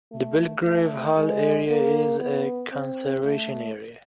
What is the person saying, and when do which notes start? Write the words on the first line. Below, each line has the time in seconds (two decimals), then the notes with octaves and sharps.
The Belgrave Hall area is a conservation area.
0.12 A3
0.64 A3
1.17 G#3
1.69 A#3
2.20 B3
2.72 C4
3.24 A3